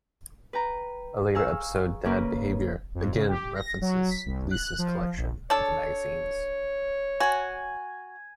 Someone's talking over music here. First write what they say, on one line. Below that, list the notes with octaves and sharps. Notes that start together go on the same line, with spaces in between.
A later episode, "Dad Behavior", again references Lisa's collection of the magazines.
B4 G5 A#5
G#4 F5 A#5 C#6 E6
C#3 A#3 C#4 A#4 B4
F2
C#3
G4
A#6
F#3
B6
C2
F#6
F3
A#1
D4 A4 C#5
F#4 G#5